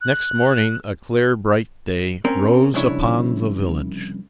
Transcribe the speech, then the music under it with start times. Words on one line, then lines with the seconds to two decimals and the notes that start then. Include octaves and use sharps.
Next morning a clear, bright day rose upon the village.
0.01 F#6
2.25 C4 C#4 A#4
2.74 C2 F2 C#3 D4 E4 C#5